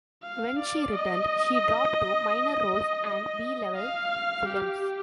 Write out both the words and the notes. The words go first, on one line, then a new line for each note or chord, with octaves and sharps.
When she returned, she dropped to minor roles and "B"-level films.
F5
D5
D#5
D#5
F5
G4